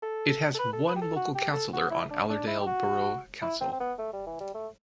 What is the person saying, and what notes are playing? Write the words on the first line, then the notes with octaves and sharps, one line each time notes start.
It has one local councillor on Allerdale Borough Council.
A4
A4
B4
A4
B4
G4
A4
F#4
G4
A4
F#4
E4
D4
D4
E4
G4
F#4
E4
C4
C4
B3
A3
G3
E3
G3
A3